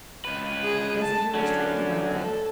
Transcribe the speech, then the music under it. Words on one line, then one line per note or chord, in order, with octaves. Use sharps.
"Guess as you're a stranger, my lad."
C#2 B4
G#4
A5
D3 F#3 C#4
A4